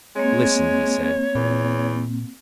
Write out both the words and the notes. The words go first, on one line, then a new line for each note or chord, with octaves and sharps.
"Listen," he said.
G#3 A#3 C4 C#5
E2 A#2